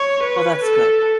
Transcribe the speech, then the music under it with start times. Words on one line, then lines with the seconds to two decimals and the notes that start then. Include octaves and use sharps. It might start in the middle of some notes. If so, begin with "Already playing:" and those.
Well, that's good.
Already playing: C#5
0.24 B4
0.63 A4